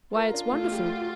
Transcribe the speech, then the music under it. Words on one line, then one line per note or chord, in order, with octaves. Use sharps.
Why, it's wonderful!
F4 A#4
D4
A3
G4
F#4